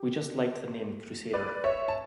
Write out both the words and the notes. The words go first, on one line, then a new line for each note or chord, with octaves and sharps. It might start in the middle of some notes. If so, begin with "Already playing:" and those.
We just liked the name "Crusader".
Already playing: G4
B4 D5
C#5 E5
A5